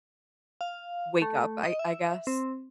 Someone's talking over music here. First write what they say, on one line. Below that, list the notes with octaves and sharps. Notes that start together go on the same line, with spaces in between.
wake up, I I guess,
F5
A3
D#5
E5
C4